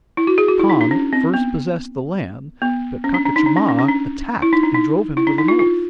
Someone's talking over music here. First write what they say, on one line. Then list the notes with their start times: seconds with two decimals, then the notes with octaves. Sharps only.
Con first possessed the land, but Pachacama attacked and drove him to the north.
0.17 E4
0.27 F#4
0.38 G#4
0.48 F#4
0.59 E4
0.70 D#4
0.81 D4
0.91 C#4
1.13 C4
1.34 B3
2.62 B3
3.04 C#4
3.14 D4
3.25 D4
3.36 D#4
3.46 D4
3.57 C#4
3.68 C#4
3.79 C#4
3.88 D4
4.42 E4
4.53 D#4
4.63 D4
4.74 D#4
5.17 E4
5.27 D4
5.38 D#4
5.48 F4
5.59 F4